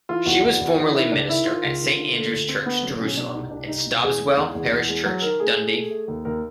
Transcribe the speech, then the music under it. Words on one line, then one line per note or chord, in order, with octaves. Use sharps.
She was formerly minister at Saint Andrew's Church, Jerusalem and Stobswell Parish Church, Dundee.
E3 F4
E2 F#4
E2
E2
E3
D#3 E4
C#2 D4
D#3 E4
D#3 F4
C#2
D#3
D3
A3
D2
A3 C4
D3 B3
F#3 C4
B2 C#4
B2 D4
C2 D#4
C2 D4
C2 D#4
B2
E2 G#4
G#3
E2
E2
E2
G#3
F#3
D#3 A#4
A3 G#4
A3
A3
A3
D#2
D#2 A#4